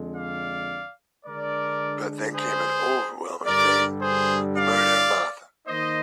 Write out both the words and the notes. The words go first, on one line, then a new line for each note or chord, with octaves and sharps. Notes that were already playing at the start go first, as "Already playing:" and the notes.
But then came an overwhelming thing — the murder of Marthe.
Already playing: F2 D3 G#3
D5 F5
D3 G#3 D4 A#4 D5
G#4 C5
G2 D3 G3 A#4 D5
G#4 C5
D5 F5
D#3 A#3 D#4 C5 D#5